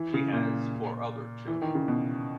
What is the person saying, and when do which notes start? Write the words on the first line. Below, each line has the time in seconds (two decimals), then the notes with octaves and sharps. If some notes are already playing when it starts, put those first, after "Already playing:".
She has four other children.
Already playing: E3
0.14 C#3
0.33 A#2
1.47 E3
1.62 D#3
1.75 C#3
1.88 B2